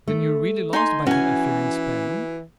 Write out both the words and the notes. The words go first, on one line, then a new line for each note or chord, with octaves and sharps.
"Then you really lost by that affair in Spain?"
A3
D#4 G#5 C6
E3 C#4 F#4 G#5